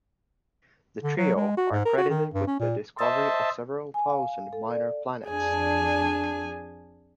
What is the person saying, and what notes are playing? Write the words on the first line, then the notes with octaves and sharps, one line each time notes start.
The trio are credited with the discovery of several thousand minor planets.
D3
F#3
G#3
F#4
G#2
A#4
F#4
D#3
G2
C#4
A#2
C5 D#5 E5 A5
G#5
F5
A4
D5
F2 D4 G#4 G#5